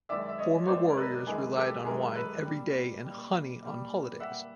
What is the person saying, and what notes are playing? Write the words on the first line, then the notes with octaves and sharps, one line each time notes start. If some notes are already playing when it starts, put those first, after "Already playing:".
Former warriors relied on wine every day and honey on holidays.
F#2 D#3 G#3 D5 E5
E5
C#5 D#5
C#5
F#2 D#3 G#3 C5 D5
A#4
A4 B4
F#2 D#3 G#3 G#4 A#4
G4 A4
F#2 D#3 G#3 G#4 A#4
A4 B4
A#2 G3
A#2 G3
A#2 G3
A#2 G3 E5 F#5